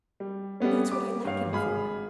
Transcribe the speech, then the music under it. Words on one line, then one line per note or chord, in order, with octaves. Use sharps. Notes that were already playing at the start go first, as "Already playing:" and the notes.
"That's what I like him for."
G3
G3 A3 B3 C#4
G3 D6
G2 C#5 F5
G#1 G#4 B5 F6